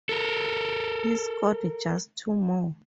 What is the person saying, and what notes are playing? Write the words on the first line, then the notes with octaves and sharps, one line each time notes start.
He scored just two more.
A4 A#4